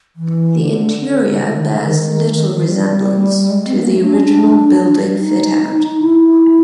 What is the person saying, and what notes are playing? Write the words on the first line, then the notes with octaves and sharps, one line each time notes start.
The interior bears little resemblance to the original building fitout.
E3
D3
D3
D#3
D3
D3
D#3
G3
G#3
C4
B3
A#3
A3
D4
C#4
D4
D#4
E4